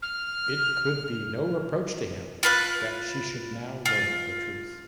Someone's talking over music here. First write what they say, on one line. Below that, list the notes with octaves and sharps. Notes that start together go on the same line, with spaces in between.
It could be no reproach to him that she should now learn the truth.
F6
F4 B4 F#6
F4